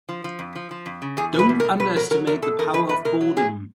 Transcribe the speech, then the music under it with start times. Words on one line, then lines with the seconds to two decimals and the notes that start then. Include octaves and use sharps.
Don't underestimate the power of boredom.
0.09 F3
0.24 F3
0.39 F2
0.56 F3
0.71 F3
0.86 F2
1.02 C#3
1.17 E2 G#4
1.34 B2
1.39 B4
1.49 E2
1.60 A#4
1.65 B2
1.80 B2 B4
1.96 F#3 A#4
2.11 F#3 A#4
2.27 E2 A#4
2.42 B2 A4
2.59 E2 A#4
2.73 E2 B4
2.89 E2 B4
3.05 B2 A#4
3.21 F#3
3.37 E2 G#4